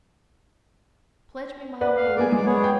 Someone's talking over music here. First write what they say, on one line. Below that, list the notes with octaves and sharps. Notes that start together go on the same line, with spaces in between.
Pledge me my uncle Adrian!
B4 D5 F#5
F5
A#3 B3 D5 G#5 D6
G#3
B3 G#4 C#5
G5